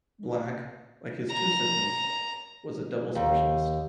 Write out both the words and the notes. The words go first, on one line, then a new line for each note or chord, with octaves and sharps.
Black, like his two siblings, was a doubles specialist.
A#5
D#2